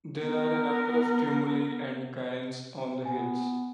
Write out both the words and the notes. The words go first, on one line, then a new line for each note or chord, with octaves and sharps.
There are a number of tumuli and cairns on the hills.
B3 A#4
B3 G#5